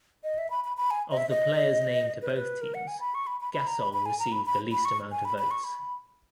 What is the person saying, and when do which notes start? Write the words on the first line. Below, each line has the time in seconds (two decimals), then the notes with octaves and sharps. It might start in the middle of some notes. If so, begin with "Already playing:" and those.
Of the players named to both teams, Gasol received the least amount of votes.
0.24 D#5
0.38 E5
0.50 B5
0.64 B5
0.77 B5
0.91 G#5
1.11 D#5
1.17 E5
1.29 D#5
2.22 B4
2.29 C#5
2.36 B4
2.61 A#4
2.74 F#5
2.87 G#5
3.00 B5
3.14 C#6
3.27 B5
3.40 B5
3.53 B5
3.67 A#5
3.79 B5
3.93 B5
4.06 G#5
4.19 A#5
4.32 B5
4.46 B5
4.72 B5
4.85 C#6
5.11 G#5
5.25 B5
5.38 B5
5.51 C#6
5.64 B5